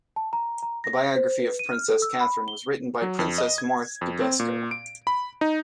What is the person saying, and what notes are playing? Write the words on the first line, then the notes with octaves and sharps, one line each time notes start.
A biography of Princess Catherine was written by Princess Marthe Bibesco.
A5
A#5
A#5
A#6
C5
B4
D#7
F6
A4
E6
B5
G7
F#3
F2
D#5
G#6
F2
C4
A#2
D7
B5
D#4